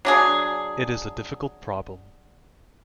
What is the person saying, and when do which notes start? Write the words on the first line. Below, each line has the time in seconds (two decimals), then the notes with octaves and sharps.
It is a difficult problem.
0.05 F#3 D4 G#4